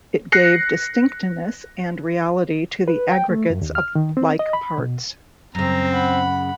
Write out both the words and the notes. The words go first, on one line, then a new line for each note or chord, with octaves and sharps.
It gave distinctness and reality to the aggregates of like parts.
F#6 A#6 C7 C#7
B4
G5
A3
F#2
D#2
F6
D#3
C4
D#5
B5
B2
F#2 C#3 C4 A#5
F#5 B5